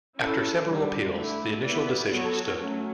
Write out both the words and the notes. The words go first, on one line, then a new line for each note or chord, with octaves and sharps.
After several appeals, the initial decision stood.
C#4 E4 A4
D3 G3 D4
D3 A3 E4
B3 E4 B4 D5
F#3 B3 F#4 A4 C#5
F#3 A3 C#4